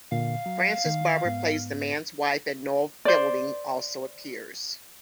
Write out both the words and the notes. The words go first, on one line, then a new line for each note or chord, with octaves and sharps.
Frances Barber plays the man's wife, and Noel Fielding also appears.
A#2 D3 F5
F#3
D#3
G#2 B3
C5 D5